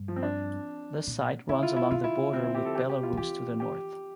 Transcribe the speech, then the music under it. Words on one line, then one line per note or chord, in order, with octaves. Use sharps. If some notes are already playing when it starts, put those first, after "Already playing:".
The site runs along the border with Belarus to the north.
Already playing: G2
F3
C4
D4
A#2
D3 E4
F4
E4
D3 F4
E4
C4
E4
G4
A4
G4
G4
F4
D3
E3 G4
G4